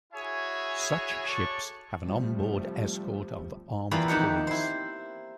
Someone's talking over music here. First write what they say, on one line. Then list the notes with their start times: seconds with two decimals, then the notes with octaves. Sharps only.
Such ships have an onboard escort of armed police.
0.13 E4 F#4 G#4 C#5 E5 G#5
1.27 F#4 A4 C#5 D5 C#6
2.03 C3 F3 G3 A3
3.91 E2 E3 G3 A#3 F4 B5
4.08 F2 D#3 G4 F#5
4.47 E4 C5